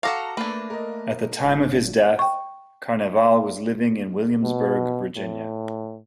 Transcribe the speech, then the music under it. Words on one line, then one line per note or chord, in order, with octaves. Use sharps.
At the time of his death, Carnevale was living in Williamsburg, Virginia.
F#4 A4 F5 A#5 C#6 D6 A#6
A3 A#3 D4 B4
A#4 D#5
G#1
G5 C#6
B2
A2